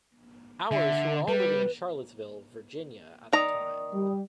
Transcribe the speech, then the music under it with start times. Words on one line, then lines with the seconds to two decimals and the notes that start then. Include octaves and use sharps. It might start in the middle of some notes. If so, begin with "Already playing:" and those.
Ours who were all living in Charlottesville, Virginia at the time.
0.72 D3 E5
1.28 G3 B4
3.33 D#3 D5 A#5 D#6
3.93 G3